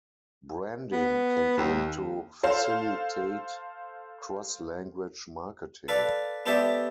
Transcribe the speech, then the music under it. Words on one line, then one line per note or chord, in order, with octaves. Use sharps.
Branding can aim to facilitate cross-language marketing.
B3
D#2
A4 C5 F5
A4 B4 D5 F5
B3 G4 A4 C5 D5 E5